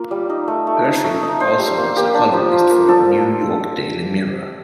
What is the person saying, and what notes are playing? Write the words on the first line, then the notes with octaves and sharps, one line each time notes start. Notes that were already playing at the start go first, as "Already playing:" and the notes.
Hershfield also was a columnist for the "New York Daily Mirror".
Already playing: A#3 F4
G3
D#4
A3
A3
D#4
A3
D#4
D4 C5
G3
A#3
A#3 G4
D4
F3
F4
A#3
F3 A4